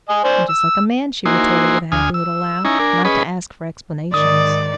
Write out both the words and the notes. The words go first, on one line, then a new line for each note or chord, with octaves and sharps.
"And just like a man," she retorted, with a happy little laugh, "not to ask for explanations."
D#5 G#5
C5 D5 G#5
E6
A#3 D#4 E4 F#4 C5 G#5
D2 G#5 D#6 F6
E6
C#4 D#4 E4 G#5 A#5
D4 A#4 G#5
C#4 G#4 B4 D#5 B5
G#2 D#3 D5 D#6